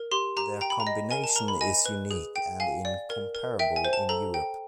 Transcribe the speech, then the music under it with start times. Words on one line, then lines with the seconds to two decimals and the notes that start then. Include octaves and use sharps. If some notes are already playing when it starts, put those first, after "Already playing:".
Their combination is unique and incomparable in Europe.
Already playing: A#4
0.11 G4 C6
0.37 G4 A#5
0.61 G5 A#5
0.70 B5
0.80 A#5
0.87 D#5
1.11 A#4 G#5
1.24 A5
1.36 A#4 A#5
1.48 B5
1.61 D#5 G#5
1.86 B4
2.11 G#4
2.36 G5
2.60 F5 G#5
2.85 D5
3.10 A#4
3.35 A#4
3.59 E5 G5
3.76 G#5
3.85 C5
3.93 A5
4.09 A4 A#5
4.34 G5